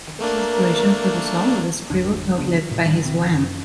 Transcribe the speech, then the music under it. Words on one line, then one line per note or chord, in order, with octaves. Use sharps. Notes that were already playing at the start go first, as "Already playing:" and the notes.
Michael's inspiration for the song was a scribbled note left by his Wham!
A3 A#3 D4 A#4
G#1 F2 D3 D4
D1 C#3 B3 D4
A2 C3
D1 A2 G3 D4
C2 B2 D#3 C4
F#2